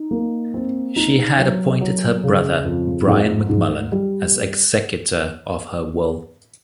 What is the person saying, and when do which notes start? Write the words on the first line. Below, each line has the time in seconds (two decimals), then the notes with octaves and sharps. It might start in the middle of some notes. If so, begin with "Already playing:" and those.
She had appointed her brother, Brian McMullen, as executor of her will.
Already playing: D#4
0.11 A#3
0.54 C4
0.96 D#4
1.38 F#3
1.81 F#3
2.24 C#3
2.65 F2
3.08 G#2
3.49 G#2
3.92 G3